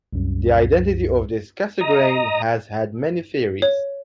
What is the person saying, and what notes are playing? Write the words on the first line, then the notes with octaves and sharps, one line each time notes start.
The identity of this "Cassegrain" has had many theories.
C2 F#2
D#5 A#5
C#5